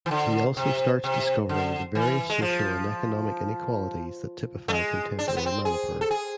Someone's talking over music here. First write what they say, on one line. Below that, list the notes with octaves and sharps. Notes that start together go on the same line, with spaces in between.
He also starts discovering the various social and economic inequalities that typify contemporary Manipur.
E3
D3
C3
C3
D3
E3
G#3
F3
A3
G#3
D4
C4
B3
C4
G#4
A4
G#4